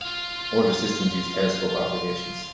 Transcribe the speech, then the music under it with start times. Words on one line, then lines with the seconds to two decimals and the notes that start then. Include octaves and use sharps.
Older systems use telescope observations.
0.02 F4 F5